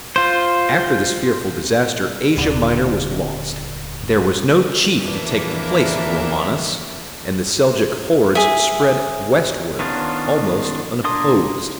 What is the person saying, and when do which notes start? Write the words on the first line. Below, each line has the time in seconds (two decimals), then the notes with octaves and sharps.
After this fearful disaster Asia Minor was lost; there was no chief to take the place of Romanus, and the Seljouk hordes spread westward almost unopposed.
0.16 F4 C5
2.37 D#1 D3
5.01 F2 E3 A#3 D4 E5
8.35 G#4 E5
9.79 D#3 B3 C#4 D4 F4
11.04 A#3 D4 C6 D#6